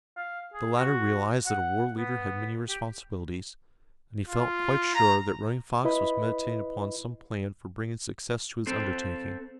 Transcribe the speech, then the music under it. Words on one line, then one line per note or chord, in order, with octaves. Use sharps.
The latter realized that a war-leader had many responsibilities, and he felt quite sure that Running Fox was meditating upon some plan for bringing success to his undertaking.
F5
G#4
F#4
F#5
B3
G4
F4
A#5
E4 B4 D#5 B5
C4 A4 C5